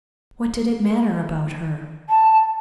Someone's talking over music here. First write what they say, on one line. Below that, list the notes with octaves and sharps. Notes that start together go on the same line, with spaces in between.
What did it matter about her?
A5